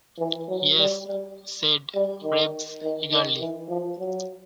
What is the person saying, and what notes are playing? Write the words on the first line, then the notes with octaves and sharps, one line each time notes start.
"Yes," said Reeves eagerly.
E3
F#3
G3
G3
G3
D#3
D#3
D#3
E3
F3
F#3